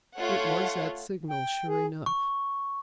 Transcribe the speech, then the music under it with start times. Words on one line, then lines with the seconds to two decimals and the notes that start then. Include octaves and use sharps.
It was that signal, sure enough.
0.17 A3 F4 C#5 F#5
1.30 G5
1.68 G#4
2.06 C#6